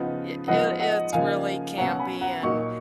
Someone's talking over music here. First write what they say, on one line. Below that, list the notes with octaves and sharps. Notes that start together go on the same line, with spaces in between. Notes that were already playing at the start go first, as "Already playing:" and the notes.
y it it's really campy, and
Already playing: C#3 F3 B3 D#4
F3 G#3 B3 D#4 D#5 F#5
D#5 F#5
C#3 F3 A#3 D#4 F5 G#5
B2 F#3 C#4 F#5 A#5
G#5 B5
F#5 A#5
A#2 F#3 A#3 D#4 C#6